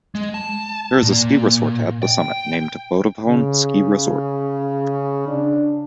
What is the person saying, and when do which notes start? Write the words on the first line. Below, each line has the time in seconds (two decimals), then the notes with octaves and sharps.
There is a ski resort at the summit, named Vodafone Ski Resort.
0.15 G#3
0.34 A5
1.03 A#2
2.03 G5
3.27 C#3
5.28 D4